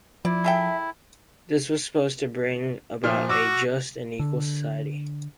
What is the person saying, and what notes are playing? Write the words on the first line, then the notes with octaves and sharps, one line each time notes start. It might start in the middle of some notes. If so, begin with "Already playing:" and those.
This was supposed to bring about a just and equal society.
F3 E4 D5
G#4 A4 E5 G5
A#2 F3 F6
F#4 D6 E6
D3